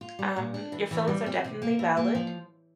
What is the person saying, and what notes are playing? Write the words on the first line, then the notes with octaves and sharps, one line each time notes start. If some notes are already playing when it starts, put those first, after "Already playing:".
Um, your feelings are definitely valid.
F4
G3
A#2
D4
E3
E3
G3
C4
C3
A#3
E3
A#3
F3